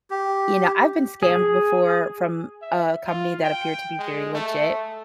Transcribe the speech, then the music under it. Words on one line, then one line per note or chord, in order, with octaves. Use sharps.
you know I've been scammed before from a company that appeared to be very legit
G4
G#4
E5
F4
G5
G#3
A3